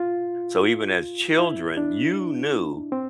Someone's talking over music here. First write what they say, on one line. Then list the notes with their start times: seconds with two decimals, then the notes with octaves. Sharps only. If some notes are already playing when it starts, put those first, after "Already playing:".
so even as children, you knew
Already playing: F4
1.39 E4
1.77 D4
2.92 C4